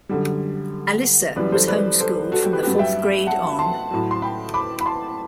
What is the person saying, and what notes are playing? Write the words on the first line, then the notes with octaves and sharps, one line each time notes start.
Alyssa was homeschooled from the fourth grade on.
F#2 D3 G3
F#2 E3 G3 B4 D5
A4 C5
B4 D5
A4 C5
F#4 A4
G4
G4 B4
G2 F#3 G4 B4
E5 G5
F#5 A5
A5 C6
A2 F#3
C6
G5 B5
B5 D6
B5
A5 C6